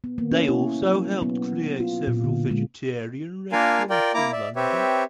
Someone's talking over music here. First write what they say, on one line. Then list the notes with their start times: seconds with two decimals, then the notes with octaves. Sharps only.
They also helped create several vegetarian restaurants in London.
0.04 B3
0.18 A#3
0.31 C#4
0.48 E4
0.82 F#3
1.22 B3
1.80 F4
2.07 A#2
2.24 D3
2.51 G#3
3.52 A#3 D4 F4 A#4 F5 G#5
3.90 F4 A#4 D5 G5
4.14 A#3 E4 A#5 D6
4.32 D5 E5
4.56 C4 G4 B4 C#5 E5